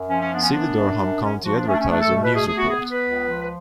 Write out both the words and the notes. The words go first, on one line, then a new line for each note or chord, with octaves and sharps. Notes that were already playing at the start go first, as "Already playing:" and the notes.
See the Durham County Advertiser news report.
Already playing: F#2
F3 C#4
C#4
B3 D4
C#4
F#2 D4
F#2
F#2
F#2 C#4
F3 F#4
D4
A3 C#4
D4
C#4
A3 D4
A4
B2
B4
A3 G#4
G#4
B3 F#4
G#4
B3
B4
C#2
F3
B4